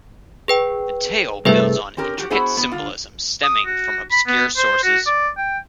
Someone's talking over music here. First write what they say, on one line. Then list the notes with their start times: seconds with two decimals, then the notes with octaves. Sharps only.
The tale builds on intricate symbolism stemming from obscure sources.
0.48 G#4 B4 G5
1.45 C2 G2 A3 G#4 B4 E5
1.97 C4 C#4 G4 A#4
2.18 F#4 G4
2.30 B3 E4 F#4 G#4 C5
2.57 B3
2.71 D3 F4
3.43 D#6
3.66 F#4
4.12 B5
4.27 B3
4.57 C5
4.83 F#4
5.06 D5
5.37 G5